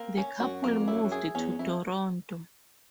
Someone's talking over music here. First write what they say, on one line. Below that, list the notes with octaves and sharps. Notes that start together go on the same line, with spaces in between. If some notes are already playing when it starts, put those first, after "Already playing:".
The couple moved to Toronto.
Already playing: A#3 C4
C#4
F#2 F#4
F2 A#3
F#2 E4
F#2
G#4
E2 C#4
F2 E4